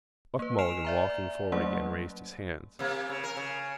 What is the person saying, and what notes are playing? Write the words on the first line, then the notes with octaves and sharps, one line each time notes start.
Buck Mulligan, walking forward again, raised his hands.
A#3 B4
G#5 F6 C7 D7 E7 F7
D5 E5 A#5
F#3 A3 A#3 C#4 C5 F#5
C3 A#3
C#3
A#4
C#3